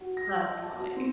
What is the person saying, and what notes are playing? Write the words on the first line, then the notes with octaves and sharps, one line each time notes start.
That's funny.
F#4
A#6
E6
D#5
A5
F#4
C4